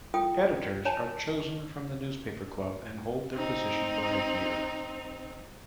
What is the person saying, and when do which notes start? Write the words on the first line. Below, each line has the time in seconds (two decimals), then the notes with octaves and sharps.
Editors are chosen from the newspaper club, and hold their position for a year.
0.14 F4 A4 G5 D#6
0.85 C#5 G#5 A5
3.34 C4 D#4